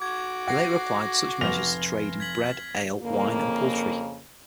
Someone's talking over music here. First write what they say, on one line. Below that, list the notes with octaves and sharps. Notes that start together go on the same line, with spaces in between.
He later applied such measures to trade in bread, ale, wine and poultry.
F#4 D6 G#6
F#5 G#6 A#6 C7
F1 F6 A#6 F7
G#6 B6 F#7
F2 C#3 A#3